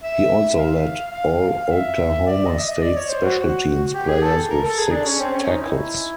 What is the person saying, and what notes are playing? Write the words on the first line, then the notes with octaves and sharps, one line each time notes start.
He also led all Oklahoma State special teams players with six tackles.
E5
F5
F5
F5
E5
D5
D#5
E5
D#5
D5
C#5
C5
F#4
F#4
G4
G#4
A4
A#4
A4
G#4
D4
C#4
C4
C#4
D#4
E4